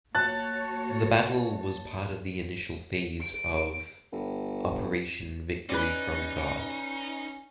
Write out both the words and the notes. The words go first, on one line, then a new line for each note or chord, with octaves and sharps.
The battle was part of the initial phase of Operation Victory from God.
A#3 F#4 C#5 A5 F#6
D7
G1
C#4 D#4 B4 D5